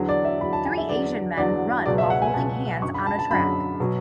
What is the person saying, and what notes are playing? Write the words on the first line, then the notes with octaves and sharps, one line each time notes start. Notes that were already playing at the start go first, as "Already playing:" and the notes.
Three Asian men run while holding hands on a track.
Already playing: E2 D3 F#3
D5
E5
E2 D3 F#3 B5
A5
G#5
E5
E2 D3 F#3 D5
E2 D3 F#3 D5
C#2 B2 F#3 D5
E5
F#5
G#5
C#2 B2 F#3 A5
F#2 D3 F#3 C#6
B5
A5
A5
F#2 D3 F#3 B5
B2 F#3